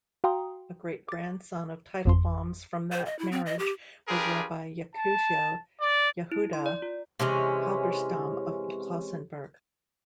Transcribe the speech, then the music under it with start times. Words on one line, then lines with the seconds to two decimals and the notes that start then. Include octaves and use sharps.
A great-grandson of Teitelbaum's from that marriage was Rabbi Yekusiel Yehudah Halberstam of Klausenberg.
0.24 F#4 F5 G5 A#5 C6 D#6
1.08 D6 A6
2.05 G#1 F2 C6
2.92 C5
3.06 D#5
3.19 E4
3.32 C4
3.46 D#5
3.59 G4
4.08 D4 F4 G4 G#4 A#4 B4
4.95 A5
5.81 D5
6.32 E4
6.53 C6
6.66 D5
6.82 F4
7.20 C3 E3 G#3 C#4